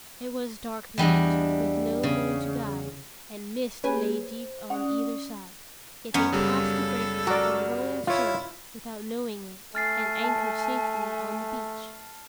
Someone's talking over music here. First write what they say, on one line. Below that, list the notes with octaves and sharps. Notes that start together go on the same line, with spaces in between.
It was dark night, with no moon to guide, and mist lay deep on either side, yet they passed the breakers and rolling surf without knowing it, and anchored safely on the beach.
E2 G3 D4 D#5
C#3
A#3 C#4 G4 G#4 B4 G#5
C5
C#4 D5 F#5 D#6
F#2 B3 C#4
C#3 G3 A4
F#4 A#4 D5
E4 F4 C#5
A3 G#5 F6 A6 C7
A5